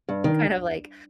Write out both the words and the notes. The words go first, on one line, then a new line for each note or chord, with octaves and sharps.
Kind of like,
G2
D#3